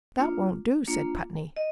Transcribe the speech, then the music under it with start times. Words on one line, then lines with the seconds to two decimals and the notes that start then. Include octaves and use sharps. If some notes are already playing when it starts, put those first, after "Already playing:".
"That won't do," said Putney.
0.18 A#3 D4 F4
0.88 A#3 D4 F4
1.57 D#5